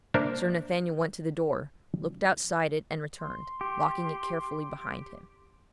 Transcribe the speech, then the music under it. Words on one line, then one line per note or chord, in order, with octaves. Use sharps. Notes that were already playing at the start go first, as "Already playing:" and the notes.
Sir Nathaniel went to the door, looked outside it and returned, locking it carefully behind him.
A#3 D4 A#4 C5 E5 A5
C6
G4